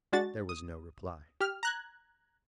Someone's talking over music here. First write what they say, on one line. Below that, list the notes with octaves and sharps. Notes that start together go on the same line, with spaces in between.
There was no reply.
G#3 D4 F#4 A6
D#6
G4 F6
A#5 F#6 G#6